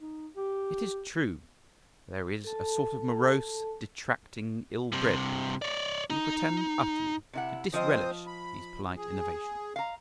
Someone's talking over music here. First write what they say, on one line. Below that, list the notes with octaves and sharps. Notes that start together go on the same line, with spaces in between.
It is true there is a sort of morose, detracting, ill-bred people who pretend utterly to disrelish these polite innovations.
D#4
G4
A4 A5
G2 C3
C#5 D5
D#4
C3 E4 F#5
F3 C4 C5 D#5 D#6
B5
G#4
F5 A#5